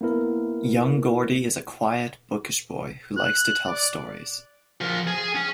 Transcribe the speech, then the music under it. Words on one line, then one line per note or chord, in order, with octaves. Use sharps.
Young Gordie is a quiet, bookish boy who likes to tell stories.
A#3 B3 E4 A#4
F#6
D5
F3 A#4
G#4 G#5
C#4